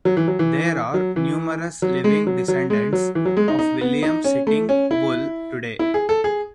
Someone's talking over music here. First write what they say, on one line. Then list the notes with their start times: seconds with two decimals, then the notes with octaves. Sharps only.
There are numerous living descendants of William Sitting Bull today.
0.05 F#3
0.17 E3
0.28 F#3
0.39 E3
0.94 F#3
1.16 E3
1.82 F#3
2.04 G#3
2.27 F#3
2.48 F#3
2.70 G#3
2.93 F#3
3.15 E3
3.25 F#3
3.37 G#3
3.48 D#4
3.59 D#4
3.81 B3
4.03 D#4
4.24 C#4
4.47 A3
4.69 C#4
4.91 E4
5.79 E4
5.94 G#4
6.09 A4
6.24 G#4